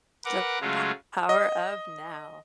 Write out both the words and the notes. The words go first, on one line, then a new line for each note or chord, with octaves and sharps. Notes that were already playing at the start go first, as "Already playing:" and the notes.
The P Power of Now.
A#4 B4 F#5 D6
C#3 F#3 G#3 A3 F4
D#5